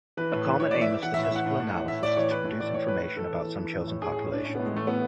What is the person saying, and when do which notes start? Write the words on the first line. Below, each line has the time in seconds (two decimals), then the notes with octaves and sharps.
A common aim of statistical analysis is to produce information about some chosen population.
0.17 E3 B4
0.32 A2
0.46 E3
0.60 A2 C#5
0.71 E3 D5
0.81 E5
0.89 E3
1.03 E3 F#5
1.14 E5
1.17 A2
1.25 E5
1.31 E3 F#5
1.46 A2
1.60 A2
1.74 E3
1.88 A2 E5
2.03 A2 D5
2.16 E3 C#5
2.31 E3 B4
2.45 A2
2.60 E3 D5
2.74 A2 C#5
2.88 A2 B4
3.02 A2 B4
3.16 E3 A4
3.31 E3
3.45 E3
3.60 E3
3.74 A2
3.87 A2
4.02 A2 G#4
4.12 G#4
4.17 A2
4.24 C#4
4.31 A2 D4
4.45 A2 C#4
4.55 A2 B3
4.66 G#3
4.73 E3 A3
4.87 A2 B3